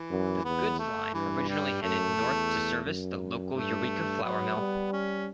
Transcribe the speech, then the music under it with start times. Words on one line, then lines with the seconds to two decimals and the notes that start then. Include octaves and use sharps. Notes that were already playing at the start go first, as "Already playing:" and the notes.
The goods line originally headed north to service the local Eureka flour mill.
Already playing: E3
0.11 F#2
0.45 E2 B3
0.79 A3
1.13 G2 E3
1.48 G3
1.82 F#2 A3
2.17 E2
2.85 F#2
3.54 G2 A3
4.23 F#3 B3
4.58 G3
4.93 C#4